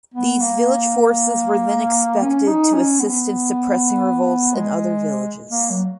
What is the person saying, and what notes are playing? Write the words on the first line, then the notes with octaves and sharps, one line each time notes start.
These village forces were then expected to assist in suppressing revolts in other villages.
B3
A#3
C#4
D#4
C#4
B3
G#3
A#3
F#3